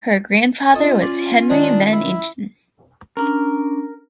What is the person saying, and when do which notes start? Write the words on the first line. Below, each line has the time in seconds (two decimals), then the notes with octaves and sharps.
Her grandfather was Henry van Ingen.
0.73 C#4 F4 A4 D#5
1.02 D5
1.50 D#3 G#3 D4
1.93 E4
3.17 C#4 D4 A#4